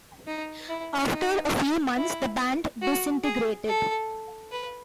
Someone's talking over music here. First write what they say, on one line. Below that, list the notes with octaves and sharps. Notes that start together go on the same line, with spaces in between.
After a few months the band disintegrated.
D#4
E4
D#4
E4
F#4
G#4
A4
B4